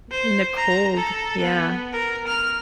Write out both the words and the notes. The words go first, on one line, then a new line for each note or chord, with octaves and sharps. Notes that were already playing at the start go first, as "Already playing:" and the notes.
In the cold, yeah.
C5
A#5
A4
B3
A#4
F6